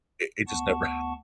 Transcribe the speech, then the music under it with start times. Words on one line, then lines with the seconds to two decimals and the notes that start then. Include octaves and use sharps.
It it just never ha
0.47 D2 B3 F#5 A5 C#6